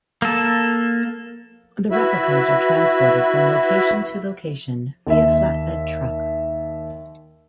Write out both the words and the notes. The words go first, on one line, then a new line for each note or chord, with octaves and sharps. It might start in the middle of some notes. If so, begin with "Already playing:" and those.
The replicas are transported from location to location via flatbed truck.
A#3 A4
E4 F#4 B4 E5 B5
D#2 E5